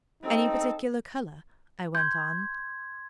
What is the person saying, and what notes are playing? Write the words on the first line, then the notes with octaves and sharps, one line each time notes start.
"Any particular color?" I went on.
C4 D#4 A4
C6 G6 G#6